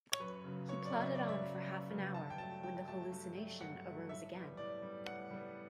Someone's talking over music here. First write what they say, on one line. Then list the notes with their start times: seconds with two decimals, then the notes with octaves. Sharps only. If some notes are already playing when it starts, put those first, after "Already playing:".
He plodded on for half an hour, when the hallucination arose again.
0.12 C#5
0.19 F#2 B4
0.44 C#3 F#3 B3
0.69 F#2 C#5
0.85 D5
0.92 C#3 F#3 B3
1.00 E5
1.15 F#2 D5
1.29 E5
1.42 C#3 F#3 B3
1.66 F#2
1.90 C#3 F#3 B3
2.14 G2 A5
2.30 G5
2.38 F#3 A3 A5
2.63 G2 G5
2.87 F#3 A3 A5
3.12 G2
3.37 F#3 A3
3.61 G2 F#5
3.85 F#3 A3
4.09 A2 E5
4.33 G3 B3
4.57 A2 D5
4.82 G3 B3
5.07 A2 F#5
5.31 G3 B3